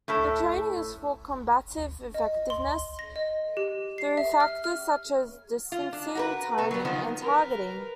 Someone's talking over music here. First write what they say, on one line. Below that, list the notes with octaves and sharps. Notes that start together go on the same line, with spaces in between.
The training is for combative effectiveness, through factors such as distancing, timing and targeting.
A2 E4 A4
D#5
C6
A#6
D#5
G4
C7
E5
F6
F6
F4
D4
F#4 A#4 B4
B2 A4
F#3 G3
D#3 F3 B3
A#4 B4